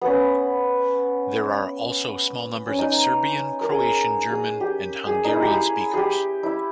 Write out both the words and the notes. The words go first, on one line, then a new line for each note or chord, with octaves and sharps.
There are also small numbers of Serbian, Croatian, German, and Hungarian speakers.
B3 C#4
C#4
D#4
A#4
G#4
G#4
G4
G#4
D#4
E4
G4
G#4
G4 G#4
E4